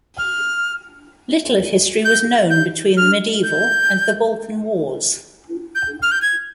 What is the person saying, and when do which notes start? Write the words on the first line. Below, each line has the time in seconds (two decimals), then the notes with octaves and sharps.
Little of history was known between the Medieval and the Balkan Wars.
0.18 F6
2.05 G6
2.50 G6
2.97 F6
3.43 G6
5.75 G6
6.02 F6
6.12 G6
6.22 G#6